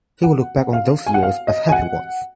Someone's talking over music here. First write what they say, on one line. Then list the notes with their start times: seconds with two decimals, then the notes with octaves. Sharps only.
He would look back on those years as happy ones.
0.23 F#5
0.73 F5
1.06 G#5
1.14 F#5
1.23 F5
1.47 D#5
1.69 G#5
1.72 F#5